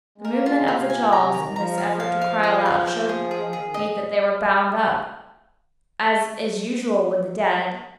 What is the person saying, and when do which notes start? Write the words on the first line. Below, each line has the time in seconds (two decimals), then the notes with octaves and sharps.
The movement of the jaws, in this effort to cry aloud, showed me that they were bound up, as is usual with the dead.
0.18 G#3
0.25 A#3 A#4
0.46 G#3 F4
0.68 C3 F4
0.90 A#2 G#5
1.12 C3 A#5
1.34 D#3 A#5
1.46 D#3
1.55 F3 A#5
1.78 F5
2.00 F5
2.21 F5
2.43 G#4
2.66 F5
2.87 C5
3.09 G#4
3.30 G#3 G#4
3.42 F3
3.53 D#3 G#4
3.64 D#3
3.74 D#5